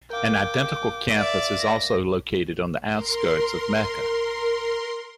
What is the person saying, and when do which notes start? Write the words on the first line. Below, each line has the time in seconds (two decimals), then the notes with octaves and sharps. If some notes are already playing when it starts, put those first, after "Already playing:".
An identical campus is also located on the outskirts of Mecca.
0.10 A#4 F5 G5 D6
1.17 D5 E5
1.60 A#6
2.90 A#4 C6